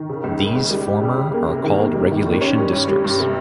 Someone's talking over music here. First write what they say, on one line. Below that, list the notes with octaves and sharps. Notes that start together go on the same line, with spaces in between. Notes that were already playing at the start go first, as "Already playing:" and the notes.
These former are called regulation districts.
Already playing: D#3
C#3
C#2
C#3
C#2
G3
G4
C#3
C#3
A#3
C3
D#3
A#3
G3
D#3
D#2
C#4
G3
G2
G3
G2
C3